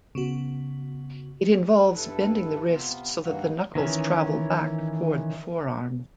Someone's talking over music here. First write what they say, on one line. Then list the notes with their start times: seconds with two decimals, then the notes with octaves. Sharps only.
It involves bending the wrist so that the knuckles travel back toward the forearm.
0.15 C#3 B3 F#4
1.94 G2 G3 E4 A4 B4
2.67 C3 B3 F4
3.22 G2 D#3 E3 G3 A#3 F#4
3.75 D#3 E3 C#4